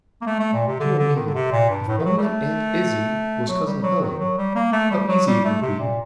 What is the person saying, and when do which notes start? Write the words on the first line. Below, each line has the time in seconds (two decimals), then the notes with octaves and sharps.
Dear me--if only Aunt Izzie was Cousin Helen, how easy it would be!
0.22 A#3
0.26 A3
0.40 A3
0.53 A#2
0.67 C3
0.80 D3
0.99 D3
1.16 D#3
1.26 D3
1.34 C3
1.52 A#2
1.70 G2
1.88 A2
1.98 D#3
2.05 F#3
2.18 G3
2.23 A3
3.48 F#3
3.66 G3
3.83 F#3
4.01 D#3
4.20 F#3
4.38 G3
4.55 A#3
4.73 A3
4.91 G3
5.09 F#3
5.27 G3
5.44 A3
5.62 C3
5.80 A#2